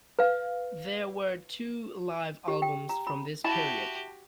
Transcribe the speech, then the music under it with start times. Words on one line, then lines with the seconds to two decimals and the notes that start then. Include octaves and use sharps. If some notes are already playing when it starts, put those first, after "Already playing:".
There were two live albums from this period.
0.19 B4 F5
2.48 G4
2.62 G5
2.89 A#5
3.07 B5
3.44 E4 F#4 G4 A5 B5